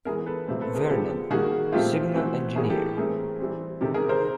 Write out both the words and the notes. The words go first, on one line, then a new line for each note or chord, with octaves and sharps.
Vernon, Signal Engineer.
E3 G#3 B3 G#4 A#4
A4 B4
C3 F3 A3 C4
A4 B4
G#4 A#4
D3 F3 G#3 B3 G4 A4
D#3 G3 A#3 F#4 G#4
A#2 F3 A3 C4 F4 G4
E3 A3 C4 F#4
A2 E3 G3 A#3 F#4 G#4
G4 A4
E3 A3 C4 G#4 A#4
E3 G3 C4
C3 D#3 G#3 G4 A4
G#4 A#4
A#4 C5